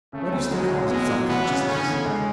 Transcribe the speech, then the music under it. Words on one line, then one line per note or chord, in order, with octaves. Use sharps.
What is the cause of self-consciousness?
C#3 A3
D2
F#3 G#3
A2
G#3 B3
F#3
E3 B3
C#3
D3 C#4
E2
G#3